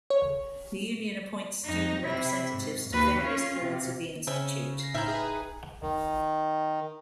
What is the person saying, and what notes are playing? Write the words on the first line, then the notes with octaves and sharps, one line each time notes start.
The union appoints student representatives to various boards of the Institute.
C#5
F2 D#4
C3 E4
G#2
D#2 B4
C#4 F4
C3
C#3 C4 C#4 E5
A#6 C7
A2 D#4 E4 E5 G5 A#5 F6 G6
G#4 B4
D#3